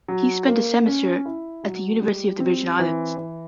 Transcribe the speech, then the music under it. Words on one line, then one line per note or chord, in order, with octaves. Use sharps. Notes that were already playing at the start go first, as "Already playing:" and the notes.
He spent a semester at the University of the Virgin Islands.
F#3
A#3
C#4
E4
F#3
G3
C4
E3
E3